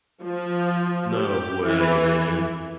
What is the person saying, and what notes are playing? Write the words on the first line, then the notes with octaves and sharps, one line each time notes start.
No way, man.
F3
G4
E3